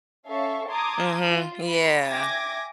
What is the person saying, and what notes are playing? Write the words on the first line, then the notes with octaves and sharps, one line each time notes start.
Mhm, yeah.
C#4 A4 E5 F5 C#6
A5 A#5 C6 D6 D#6 G#6
F4
B5
E5 G5 G#5 D6 G#6 A#6